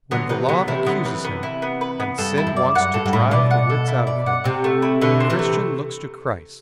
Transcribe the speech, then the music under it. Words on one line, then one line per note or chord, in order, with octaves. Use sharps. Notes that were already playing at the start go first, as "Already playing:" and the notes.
When the Law accuses him, and sin wants to drive the wits out of him, a Christian looks to Christ.
D3 F#3 B3
C3 E3 B4
D3 F#3 B3
C3 E3 E4
D3 F#3 B3
C3 E3 B4
B3
E4
B3
B4
B3
G2 A4
E4
F#2
D5
F#2 F#5
G2 A4
G2
A2 E4
B2 D5
F#5
A4
E4
D5
F#5
C3 C4
A3
E4
B2 D3 A3
C4
C3 E3
A3